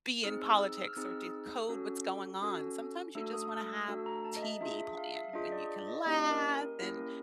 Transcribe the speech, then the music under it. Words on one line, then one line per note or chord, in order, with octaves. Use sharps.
be in politics or decode what's going on, sometimes you just wanna have TV playing when you can laugh and
C4 D#4 G#4 F6
E6
E6
E6
F6
C4 D#4 G#4 E6
C#4 F#4 A4
C#4 F#4 A4
A3 D4 F#4 A4 E6
D#6
F6
E6
A3 D4 F#4 A4
A#5
A5
D#5
E5
D4 F4 G#4 E5
E5
F5
E5
D4 F4 G#4 D#5
D5
D5
D#5
A#3 C#4 E4 G4 D#5
A#4
A#4
A#3 C#4 E4 G4 A#4
A#4